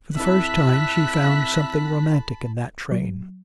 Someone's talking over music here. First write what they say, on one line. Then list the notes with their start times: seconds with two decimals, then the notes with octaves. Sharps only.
For the first time she found something romantic in that train.
0.17 F2 E4 E5 A5 B5 F#6 B6
2.91 F#3